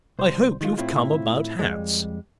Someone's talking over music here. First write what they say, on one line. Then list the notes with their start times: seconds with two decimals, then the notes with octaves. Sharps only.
I hope you've come about hats.
0.19 C2 C5
0.61 D#3 G#3 F4
0.78 A2 C4 E4 F4
1.59 F2 G3 G#3